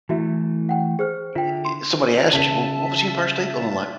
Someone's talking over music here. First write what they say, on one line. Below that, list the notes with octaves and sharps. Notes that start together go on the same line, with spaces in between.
e e eh, somebody asks you, "Well, what was the Empire State Building like?"
E3 A3 E4 F#4 E5
F#5 G5
G#4 C5 F6
D3 F4 E5 G5
C6
C#3 E5 A5 B6 D#7